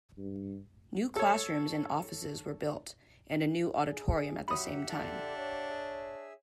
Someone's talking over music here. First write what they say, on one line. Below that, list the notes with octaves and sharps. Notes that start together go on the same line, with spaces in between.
New classrooms and offices were built, and a new auditorium at the same time.
G2
A4 C#5
G#4
F#3 G4 E5 F#5 B5 D#6
D3 D4
C#5
G#4 E5